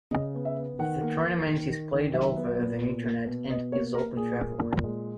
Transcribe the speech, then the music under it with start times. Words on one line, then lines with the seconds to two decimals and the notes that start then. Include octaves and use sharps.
The tournament is played over the Internet and is open to everyone.
0.11 C#3 D#5
0.35 B3
0.45 E5
0.57 B3
0.79 D#3 F#5
1.01 A#3
1.24 A#3
1.47 D#3
1.70 D#3
1.92 D#3
2.14 F#3 E5
2.36 B3
2.59 A#2
2.82 B2
3.04 A#3
3.27 B2
3.49 B2 D#5
3.72 A#3 C#5
3.95 A#3 A#4
4.16 A#2 G#4
4.40 A#3
4.61 A#2
4.84 G#3